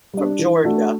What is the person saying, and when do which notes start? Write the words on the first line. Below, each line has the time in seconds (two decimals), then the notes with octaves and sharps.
from Georgia.
0.13 G3 D4
0.39 E3
0.64 A3 D4 F#4